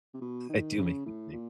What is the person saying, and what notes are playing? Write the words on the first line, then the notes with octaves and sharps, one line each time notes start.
I do make mistakes.
C3
B2
D#3
C#3
A2
A#2